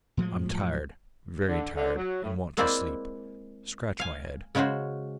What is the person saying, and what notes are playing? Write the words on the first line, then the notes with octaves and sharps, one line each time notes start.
I'm tired, VERY tired, and want to sleep--scratch my head.'
A2 F3 F#3 G#3
D3
D3
F#3
A2
G#3 A#3 C4 E4 C5 D5
F5 G#5
C#3 G#3 C#4 F#4 C5